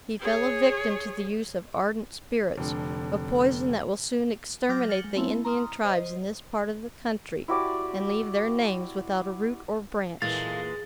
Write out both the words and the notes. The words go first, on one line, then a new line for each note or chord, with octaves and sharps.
He fell a victim to the use of ardent spirits--a poison that will soon exterminate the Indian tribes in this part of the country, and leave their names without a root or branch.
G#4 C#5
F1 D3
F#3 D6 F6 G6 A6 A#6
F6 A6 C#7 F#7 G7
G#3
A3 B3 C4 E4
A#5 C6 D#6 F6
C5 D#5
E4 F#4 G4 D5
E2 A#2 E3 G#3 A4 F5 A6